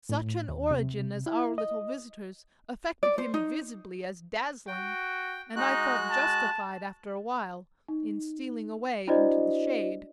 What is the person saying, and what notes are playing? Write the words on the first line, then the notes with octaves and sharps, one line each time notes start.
Such an origin as our little visitor's affected him visibly as dazzling, and I felt justified after a while, in stealing away into the shade.
A2
D#2
C3
E4
D#5
D5
C5
D#4
F#4 G5
G#3 D#4 F#4 F#6
A5
D#4
D4 E4 F#4 C5 D5 D#5